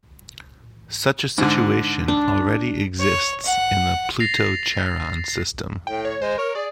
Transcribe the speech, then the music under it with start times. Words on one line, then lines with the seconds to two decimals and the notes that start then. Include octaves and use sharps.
Such a situation already exists in the Pluto-Charon system.
1.38 G#2 D3
2.08 D4
2.99 C#5
3.45 F#5
4.20 A6 A#6 C7 F7
5.87 A2 G5
6.05 C#5
6.22 G#3 C5
6.38 A#4 C#5
6.55 G#4 D5